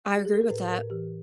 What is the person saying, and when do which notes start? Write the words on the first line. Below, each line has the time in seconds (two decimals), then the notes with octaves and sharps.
I agree with that.
0.17 G4
0.25 G#4
0.34 A4
0.41 A#4
0.50 A2 B4
0.70 A2 A#4
0.90 E3 G4